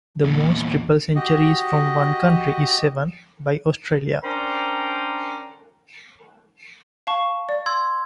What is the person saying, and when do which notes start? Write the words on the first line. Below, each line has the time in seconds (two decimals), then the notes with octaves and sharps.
The most triple centuries from one country is seven, by Australia.
0.24 E2 A#2
1.15 F#4 G4 D#5
4.24 C#4 D4 A#4 C5 G5 A#5
7.07 F5 A5 C#6
7.49 D5
7.66 C6 E6 G#6